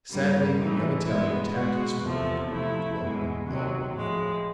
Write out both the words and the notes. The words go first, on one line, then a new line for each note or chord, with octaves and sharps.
Sadly the young Italian tapped his forehead with one long finger.
G2 D3 G3 A#3
A2 E3 A3 D#4
B2 G#3 B3 E4
B2 G#3 B3 F#4
E2 C3 F3 A3
C3 F3 A3 E4
E2 B2 G#3
C3 D#3 F#3
A2 F3 G#3